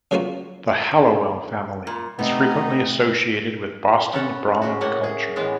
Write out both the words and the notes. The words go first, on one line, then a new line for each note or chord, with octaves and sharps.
The Hallowell family is frequently associated with Boston Brahmin culture.
C#3 F#3 A#3 B3 F4 F#4
A#2
C3 A3 B3 C4 D#4
B3 C#4 A4 C#5 F#5
C#3 G#3 F#4
A2 A#3 F#5
G#4
A2 E3 G#3 B3